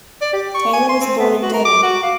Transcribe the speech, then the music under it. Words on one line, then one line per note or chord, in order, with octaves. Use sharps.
Taylor was born in Devon.
D5
G4
C#6
G#5
C6
C4
B3
F#4
A#4
D6
F#4
F5